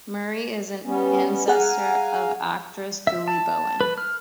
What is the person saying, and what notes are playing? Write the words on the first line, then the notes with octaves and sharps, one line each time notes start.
Murray is an ancestor of actress Julie Bowen.
G3 B3 C#4
G#4 F5 F#5 G#5 A#5
E5
A5
B4
F6